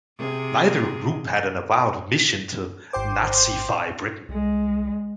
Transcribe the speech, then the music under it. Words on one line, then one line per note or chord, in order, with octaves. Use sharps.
Neither group had an avowed mission to Nazify Britain.
C3 G#4
G#1 C5 G5 D6
C2 G#3